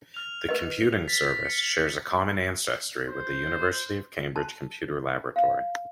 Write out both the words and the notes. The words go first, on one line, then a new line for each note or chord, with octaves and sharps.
The Computing Service shares a common ancestry with the University of Cambridge Computer Laboratory.
F6 F7
B4 D#5
A6 B6
C#7
C5
A5
F5